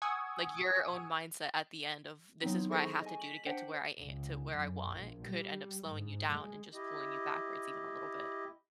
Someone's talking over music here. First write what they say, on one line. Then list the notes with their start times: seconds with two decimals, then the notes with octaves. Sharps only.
Like, your own mindset at the end of, "This is what I have to do to get to where I am to where I want," could end up slowing you down, and just pulling you backwards even a little bit.
0.02 F#5 G#5 C#6 D#6 E6 G#6
2.42 F#3 B3 C4 D#4 E4
2.70 G#4 A4 C5 C#6 A#6
3.02 D#5 G#5
3.20 B6 F#7
3.46 D4 C5 F#5 G5
3.98 C#2
4.56 F#2
4.91 A#1
5.26 G3
5.88 G#2
6.30 G#3
6.73 E4 G4 D#5